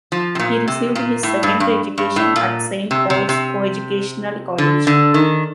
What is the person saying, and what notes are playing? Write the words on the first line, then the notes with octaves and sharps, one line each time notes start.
He received his secondary education at Saint Paul's Co-educational College.
F3
C3
A#2
C3
A#2
A2
G2
G2
G2
A2
A#2
C3
C3
C3
D3
D3
D#3